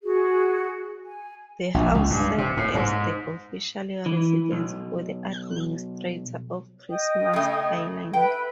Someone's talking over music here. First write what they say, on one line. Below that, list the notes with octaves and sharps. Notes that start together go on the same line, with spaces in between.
The house served as the official residence for the Administrator of Christmas Island.
F#4 G#4
G#5
A#1
C#2
G2
C3
A2
G#2
E3
B1
D#5 G5 D#6
C#3 A3
B4 E5 G5